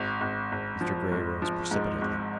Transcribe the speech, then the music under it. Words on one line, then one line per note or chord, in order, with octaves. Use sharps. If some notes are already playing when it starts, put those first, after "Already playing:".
Mr. Grey rose precipitately.
Already playing: G#1
G#1
G#1
F3
G#1
F3
G#2
G#1